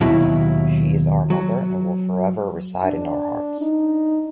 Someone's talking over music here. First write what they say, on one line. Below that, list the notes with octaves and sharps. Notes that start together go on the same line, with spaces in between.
She is our mother, and will forever reside in our hearts.
D#2 B2 F#3 E4
F#3
D4
D#4